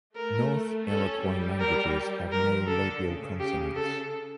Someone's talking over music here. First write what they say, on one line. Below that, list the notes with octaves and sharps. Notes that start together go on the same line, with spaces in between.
North Iroquois languages have no labial consonants.
A3 A#4
C#4 A4
G3
A#4
F3 A#4
D3 A4
C#3
G4
A4